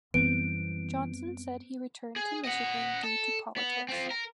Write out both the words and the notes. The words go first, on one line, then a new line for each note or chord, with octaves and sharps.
Johnson said he returned to Michigan due to politics.
F#2 E3 G3 B3 C4 D7
G#4
D#5 F#5
A4
B3
C4 F4
A#4